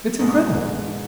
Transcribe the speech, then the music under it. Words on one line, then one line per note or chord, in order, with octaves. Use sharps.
It's incredible!
G#2 B2 E3 G#3 A3